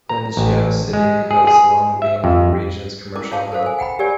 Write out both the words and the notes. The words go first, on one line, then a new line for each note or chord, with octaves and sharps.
Linxia City has long been the region's commercial hub.
A#5
A1
G#3
G#4
G#4
E5
F2
C#4 E4 A#4 D6
F4 C#5 F5 A5
A4 A#4 C5 F5
G#5
F#5 G5 A#5 B5
G4 A#4 C#5 D5 G#5